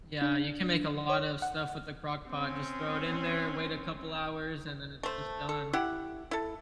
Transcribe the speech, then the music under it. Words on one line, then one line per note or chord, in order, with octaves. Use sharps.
Yeah. You can make a lot of stuff with the crockpot. Just throw it in there, wait a couple hours, and then it's just done.
D4
C#5
F#5
C4 C#4
A3 C5
A4
E4 G4 F#5
E4 A4